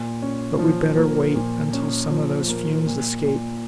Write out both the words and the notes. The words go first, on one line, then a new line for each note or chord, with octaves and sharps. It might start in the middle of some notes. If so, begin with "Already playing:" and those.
But we'd better wait until some of those fumes escape.
Already playing: A#2
C#4
F3
A#3
A#2
C#4
F3
A#3
A#2
A#2